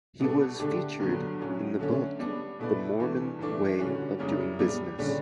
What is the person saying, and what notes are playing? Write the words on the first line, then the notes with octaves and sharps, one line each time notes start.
He was featured in the book The Mormon Way of Doing Business.
B2 G3 B3 D4 A4
D3 A3 D4 G4
G2 D3 F#3 B3
A2 F#3 C#4
D3 A3 C#4
G3 B3 D4
B2 A3 E4 B4 D5
G2 E3 A3
G2 E3 A3 D4
D3 G3 C#4 F#4
F#2 C#3 G3 C#4 E4
G3 B3 D4 G4
D3 G3 C#4 G4